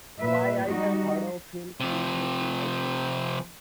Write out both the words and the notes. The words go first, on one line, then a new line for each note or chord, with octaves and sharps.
Why, I have heard of him — seen him too, I think.
A#2 B4 E5
G3 D#4 F#4
C3 F3